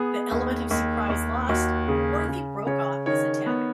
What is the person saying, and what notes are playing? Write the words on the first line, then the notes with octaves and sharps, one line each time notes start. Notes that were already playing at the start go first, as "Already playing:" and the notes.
The element of surprise lost, Horthy broke off his attack.
Already playing: B3 G#4
D#2
D#2
D#2
D#2 F#4
C#3 G#4
C#3
C#3 C#5
D#3 C#5
B3